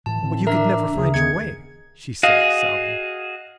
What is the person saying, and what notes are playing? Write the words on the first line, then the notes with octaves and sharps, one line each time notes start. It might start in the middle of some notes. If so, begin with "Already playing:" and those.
"But you could never find your way," she said, sobbing.
A2 E3 A5
A2 D3 E3 C4
D4 A#4 E5 A#5
D2 C#3 G#4
D#2 D#3 B3 G#4 G#6 C#7
F#4 G#4 D#5 F5